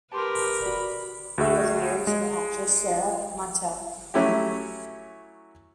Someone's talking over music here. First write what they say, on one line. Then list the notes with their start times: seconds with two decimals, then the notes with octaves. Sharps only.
He was married to the actress Sara Montiel.
0.12 G4 A#4 B4 A5 C6
0.62 F#4 D5 B5
1.38 D2 F#4 G#4 E5
2.07 G#3
4.14 F#3 A3 C#4 E4 G4